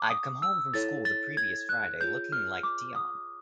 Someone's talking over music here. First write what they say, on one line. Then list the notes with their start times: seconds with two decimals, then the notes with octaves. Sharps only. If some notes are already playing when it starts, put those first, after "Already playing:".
I'd come home from school the previous Friday looking like Dion.
Already playing: D6
0.10 D#6
0.42 E6
0.74 E4 A4 C#5 A6
1.05 A6
1.37 G#6
1.69 F#6
2.00 F4 G#4 C#5 G6
2.32 F6
2.63 D6
2.96 D#6